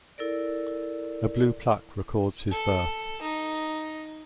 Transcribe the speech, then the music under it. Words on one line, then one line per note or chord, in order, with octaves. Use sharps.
A blue plaque records his birth.
E4 A4 A#4 D5
A4
D#4